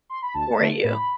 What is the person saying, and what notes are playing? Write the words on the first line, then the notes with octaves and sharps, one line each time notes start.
for you.
C6
B5
D2 A5
D3 A3
A2 B5